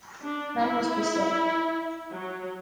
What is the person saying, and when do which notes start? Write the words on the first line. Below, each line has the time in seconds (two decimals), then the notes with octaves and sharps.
None was preserved.
0.22 D4
0.60 E4
2.11 F#3